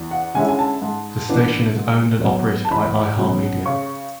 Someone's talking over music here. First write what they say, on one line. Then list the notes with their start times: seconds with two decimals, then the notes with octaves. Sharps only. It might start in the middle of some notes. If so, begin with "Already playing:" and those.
The station is owned and operated by iHeartMedia.
Already playing: E2
0.11 F#5
0.34 D3 G#3 C#4 E4 G#5
0.49 G#5
0.59 A5
0.82 G#2
1.29 E3 B3 D4
1.76 G#2
2.24 F#3 B3
2.65 A5
2.71 E2 B5
3.18 B2 F#3 C#4
3.65 C#3 C#6